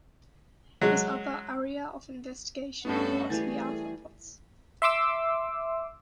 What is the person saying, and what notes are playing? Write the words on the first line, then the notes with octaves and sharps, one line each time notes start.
His other area of investigation was the arthropods.
F#3 G#3
G2 A3 B3 C#4 F#4 A4
E3 G3 A3 G#4 G6 A6
E5 C6 D6 E6